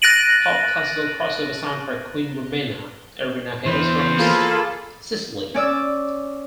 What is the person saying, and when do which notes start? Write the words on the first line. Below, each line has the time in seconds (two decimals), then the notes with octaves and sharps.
Pop Classical Crossover soundtrack queen Romina Arena hails from Sicily.
0.02 F#6 A6 A#6 D7 D#7 F#7
3.66 E3 B3 C5
4.17 A#3 F4 G#4 A4 B5 C6
5.54 C#4 D5 E6